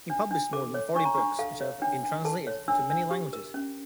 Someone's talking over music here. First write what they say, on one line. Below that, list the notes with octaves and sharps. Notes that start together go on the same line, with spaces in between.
He published more than forty books which have been translated into many languages.
D4
D4
A4 D6
C#5
D4 C#6
A#5
D4 C#6
A4 F5
C#5
D4 G5
D4
A4 A5
C#5
D4 E6
D4
G4
A#4
C#4